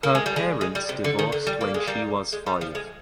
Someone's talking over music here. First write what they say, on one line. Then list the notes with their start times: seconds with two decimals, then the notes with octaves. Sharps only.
Her parents divorced when she was five.
0.03 A#3
0.15 G#3
0.26 G3
0.36 G#3
0.61 G#3
0.75 G3
0.89 C3
1.04 D3
1.19 D#3
1.32 D3
1.47 G3
1.61 A#3
1.74 G#3
1.88 G3 A#3
2.32 G#3
2.47 G3
2.61 F3
2.75 G#3